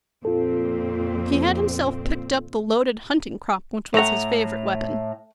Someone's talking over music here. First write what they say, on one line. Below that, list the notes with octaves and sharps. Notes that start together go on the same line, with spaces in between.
He had himself picked up the loaded hunting-crop, which was his favourite weapon.
F2 A#2 C4 F4 A4
A2 A3 F#5 A#5